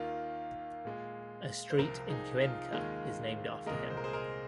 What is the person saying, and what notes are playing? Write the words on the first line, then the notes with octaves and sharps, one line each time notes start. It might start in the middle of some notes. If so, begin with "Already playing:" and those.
A street in Cuenca is named after him.
Already playing: D#2 D#3 A#3 F4
A#2 G#3
C5
C2 C3 F3 F4 A#4
D#4 G#4
F4
D#2 D#3 G#3 F4
C2 A#2 G#3 A#4 D#5
C5
A#4
G#4 C5
A#4 D#5